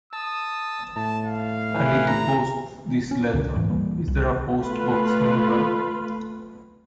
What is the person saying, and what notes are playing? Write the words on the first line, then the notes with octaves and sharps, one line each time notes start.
I need to post this letter. Is there a postbox nearby?
A5 D#6 E6
A2 A5
F5
E3
A#5
C#4
C#2 B2 D3
D#1 G#2 E3
D#1 E3 G3 A#3
C2
A3 F4 B4